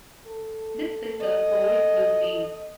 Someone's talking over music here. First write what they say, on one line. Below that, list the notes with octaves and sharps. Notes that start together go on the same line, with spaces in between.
This preserved old Newfields.
A4
D#5